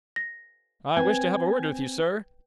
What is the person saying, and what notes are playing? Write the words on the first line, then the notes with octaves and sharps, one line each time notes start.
"I wish to have a word with you, sir."
A#6
C4 B4 G#5